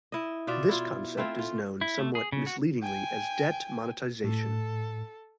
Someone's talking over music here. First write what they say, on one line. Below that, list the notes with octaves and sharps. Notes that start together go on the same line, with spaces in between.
This concept is known somewhat misleadingly as debt monetization.
E4 D#5
B2 F4 D5 E5
E4 F4
A3 C4 E4 F4
F4
E4
A3
G#4
C#3
F#4
G5 G#5
A2 A4